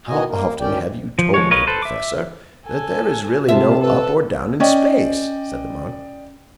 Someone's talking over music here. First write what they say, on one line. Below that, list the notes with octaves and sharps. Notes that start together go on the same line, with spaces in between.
"How often have you told me, Professor, that there is really no up or down in space?" said the monk.
B2 D#3 E3 F#4 D#5 G#5
A#3
D2 D#3 C#4 D5 G5
F3
F3 G#3 C#5
A#4 B4 C#5 D#5 F5
A4 B4 C5
E5 D6
A4 G#5
C3 F4 E5 A5
A4 B4
C#4 D5 D#5 G5